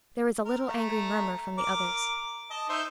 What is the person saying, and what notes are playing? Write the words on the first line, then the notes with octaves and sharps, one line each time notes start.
There was a little angry murmur from the others.
A#4
A3 A#5
A#4 D6
D#5 A5
D#4 C5 E5